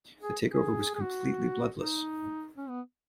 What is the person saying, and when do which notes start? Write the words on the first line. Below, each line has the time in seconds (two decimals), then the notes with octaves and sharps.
The takeover was completely bloodless.
0.22 G#4
0.50 G#4
0.94 G#4
1.01 F#4
1.78 D#4
2.56 C#4
2.69 B3